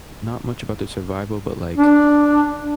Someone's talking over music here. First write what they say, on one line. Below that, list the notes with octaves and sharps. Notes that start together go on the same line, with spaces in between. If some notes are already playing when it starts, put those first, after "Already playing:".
not much about the survival, but, like,
D4